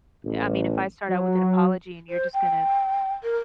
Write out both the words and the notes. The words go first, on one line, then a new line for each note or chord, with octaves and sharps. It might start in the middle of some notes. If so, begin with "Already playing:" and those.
I mean, if I start out with an apology and you're just gonna
A1
F#3
C5
G5
A#4